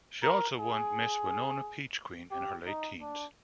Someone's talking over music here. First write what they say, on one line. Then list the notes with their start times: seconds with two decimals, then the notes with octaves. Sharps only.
She also won Miss Winona Peach Queen in her late teens.
0.23 A#4
0.58 G#4
2.31 G4
2.66 D#4
3.01 D4